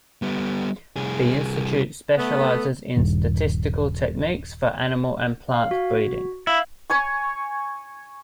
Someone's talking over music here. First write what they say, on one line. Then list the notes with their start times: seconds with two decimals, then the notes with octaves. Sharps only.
The institute specializes in statistical techniques for animal and plant breeding.
0.22 G3 B3
0.96 C2 G#4
2.17 A3 B3
2.97 D#1 G2 D#3
5.54 F5
5.71 F#4
6.47 E4 E5 F5
6.90 C#5 G#5 C#6